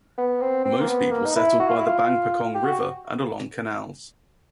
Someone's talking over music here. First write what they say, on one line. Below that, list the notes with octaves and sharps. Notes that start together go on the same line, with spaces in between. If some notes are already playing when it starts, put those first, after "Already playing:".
Most people settled by the Bang Pakong River and along canals.
B3
C4
C4
A#3
B3
A#3
D#4
E4
F#4
F4
E4
F4
G4
F#4